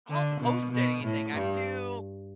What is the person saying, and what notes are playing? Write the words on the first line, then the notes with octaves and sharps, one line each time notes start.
I don't post anything, I'm too
D3
B2
B2
A2
G2